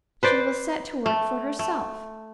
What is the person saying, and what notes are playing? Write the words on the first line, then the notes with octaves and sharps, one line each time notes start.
She will set to work for herself.
B4 C5 D5
A3
A3